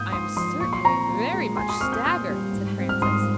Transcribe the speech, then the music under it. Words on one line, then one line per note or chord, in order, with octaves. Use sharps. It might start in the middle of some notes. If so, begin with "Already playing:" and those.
"I am certainly very much staggered," said Francis.
Already playing: G#2 A#3 D#6 G6
G#2 C6 D#6
F3 C6 D#6
A#2 C#6
C6
C4 A#5 C#6
A#2
G#3
A#2 G#5 C6
C6 D#6
C4 C#6 F6
D#6 G6
A#2 D#6 G6
G3
G#2
C4
F6
G#2 C6 D#6